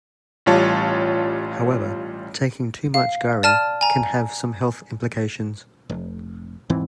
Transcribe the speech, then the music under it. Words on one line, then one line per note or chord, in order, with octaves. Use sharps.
However, taking too much garri can have some health implications.
A1 G3 F4 C#5 A5
F5
D5 A5 F6 D#7
G#5 A#5
F1
D#1 G#2 E3 C4